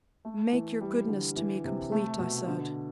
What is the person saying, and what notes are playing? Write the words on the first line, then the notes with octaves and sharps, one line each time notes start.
"Make your goodness to me complete," I said.
A3
E3
G3
D3
E3
C3
A3
B2
D3